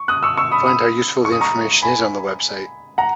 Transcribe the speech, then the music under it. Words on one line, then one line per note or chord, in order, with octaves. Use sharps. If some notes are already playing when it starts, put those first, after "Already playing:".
Find how useful the information is on the website.
Already playing: C#6
D#6 F#6
C#6 E6
C#6 E6
B5 D#6
B5 D#6
C#6
D#6
A#5 C#6
G#5 B5
F#5 A#5